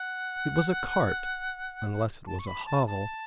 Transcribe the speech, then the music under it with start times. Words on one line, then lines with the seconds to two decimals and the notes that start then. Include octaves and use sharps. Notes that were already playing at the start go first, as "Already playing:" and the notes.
It was a cart, unless it was a hovel.
Already playing: F#5
2.27 A5
2.39 C#6
2.47 B5
2.66 A5
2.87 A5